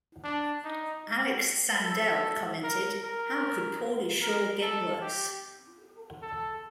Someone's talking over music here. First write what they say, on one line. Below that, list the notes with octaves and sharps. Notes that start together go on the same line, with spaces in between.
Alex Sandell commented How could Pauly Shore get worse?!?
D4
D#4
A4
A#4
A#4
A#4
A4
G4
A4